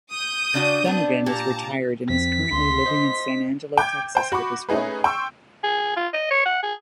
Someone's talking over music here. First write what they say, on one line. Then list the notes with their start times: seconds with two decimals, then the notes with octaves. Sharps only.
Dunagan is retired and is currently living in San Angelo, Texas, with his wife.
0.12 D#6 G6
0.54 C#3 D4 F#4
0.85 B3 C4 D4
1.26 A#2 G4 A5 A#5
2.10 F2 C4 B6
2.52 D2 C6
2.86 C5 D#5
3.78 G5 D6 G6 G#6
4.15 C5 G5
4.32 F#4 B5 C#6 D6
4.69 A3 C#4 D#4 G#4 B4
5.04 G5 C6 C#6 E6
5.63 G#4
5.96 F4
6.13 D#5
6.31 C#5
6.45 F#5
6.63 G#4